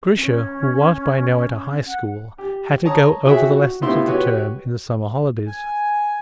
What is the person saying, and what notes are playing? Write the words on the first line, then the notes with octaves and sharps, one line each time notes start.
Grisha, who was by now at a high school, had to go over the lessons of the term in the summer holidays.
C#4
F#5
G4
C#5 A5 A#5 D#6
F#4 G#4 C#5 E5 G5
F#4
A2 C3 B3 E4 F5 C6
F#4 G4 B4 C#5
G#5